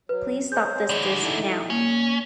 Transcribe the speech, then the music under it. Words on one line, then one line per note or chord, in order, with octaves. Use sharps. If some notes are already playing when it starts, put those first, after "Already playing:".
Please stop this disc now.
F#3 B4
G#4 C5 C#5 G6
D3 E3 D5
D#4 E4 A4
A#2 A#3 C#4